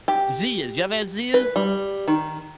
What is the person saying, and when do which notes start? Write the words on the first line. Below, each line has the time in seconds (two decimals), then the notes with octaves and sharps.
Zea's. You ever had Zea's?
0.08 G4
1.34 B4
1.56 G3
2.08 D#3